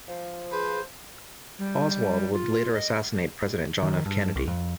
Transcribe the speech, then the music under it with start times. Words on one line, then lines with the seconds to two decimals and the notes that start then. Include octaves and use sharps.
Oswald would later assassinate President John F. Kennedy.
0.08 F3
0.52 G#4 B4 C5
1.59 G3
2.33 F4
2.73 D#5
3.83 D#3
4.06 G2
4.36 C2
4.48 F2